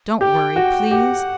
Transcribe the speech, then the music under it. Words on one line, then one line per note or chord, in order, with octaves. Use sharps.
Don't worry, please.
G4 G5
F#4
G4 F#5